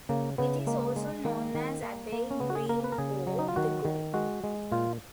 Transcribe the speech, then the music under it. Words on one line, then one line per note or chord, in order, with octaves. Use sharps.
It is also known as Abbey Green or the Gow.
C#3 A#3
C#3 B3
G#3 A#3
G#3
D#3 A#3
D#3
A#3
A#3
C#4
C#3 B3
F#4
G#4
A#3 A#4
B4
A#4
C#3 G#4
F#3
D#4
F4
D#3 F#4
D#3
G#3 F#4
G#3
A#2 F4